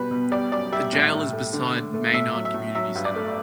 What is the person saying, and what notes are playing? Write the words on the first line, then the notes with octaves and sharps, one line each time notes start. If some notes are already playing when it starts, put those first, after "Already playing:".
The jail is beside Maynard Community Center.
Already playing: B2 G3 B4
B2
G3 D5
F#2 D5
G3 E5
A2
A2
A3
D3
A3
A3
A2 E5
F#3
E5
A2
F#3 E5
G2
D5
A3